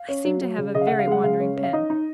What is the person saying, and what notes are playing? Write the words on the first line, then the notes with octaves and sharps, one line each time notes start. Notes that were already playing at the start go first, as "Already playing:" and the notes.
I seem to have a very wandering pen.
Already playing: F5
C#4
F#3
F#3
C#3
C#3 D#5
F5
C#3 F#5
F5
G#3 F#5
C#3 F5
C#4
C#4
F5
D#4 D#5
D#4